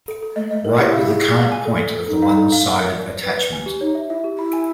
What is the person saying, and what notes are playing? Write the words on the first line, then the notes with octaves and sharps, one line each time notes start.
Right with the current point of the one-sided attachment.
A4
A4
A3 D#5
A3 D#5
A#4
E4 G4
F5
G#4
G#4
F5
G#5
A4
A4
A4
D#4 A4
F5
A4
F5
F5
A#4
D5
D5
B4
B4
G#5
G4
D#4 C#5
E5
E4 E5
G4
E4 B5
G#5